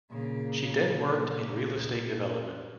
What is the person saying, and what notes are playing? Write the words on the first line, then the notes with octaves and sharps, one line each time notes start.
She then worked in real estate development.
A#2 C#3 A#3